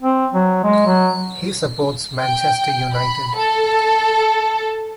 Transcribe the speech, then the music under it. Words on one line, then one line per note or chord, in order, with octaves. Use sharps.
He supports Manchester United.
C4
F#3
G#3
F#3
G5
B5
A4